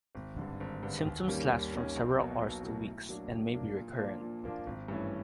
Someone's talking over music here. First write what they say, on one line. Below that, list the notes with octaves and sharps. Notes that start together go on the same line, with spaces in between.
Symptoms last from several hours to weeks and may be recurrent.
G#1
G2 D3
G#1
G2 D3
D#2
D#3 G3 A#3 C#4
D#2
D#3 G3 A#3 C#4
B1
B2 F#3 A#3
B1
B2 F#3 A#3
A2
F#3 A#3 D4
A2
F#3 A#3 D4
A#2
F3 A#3 D4 F4
A#2
F3 A#3 D4 F4
G#1
G2 E3 A3 C#4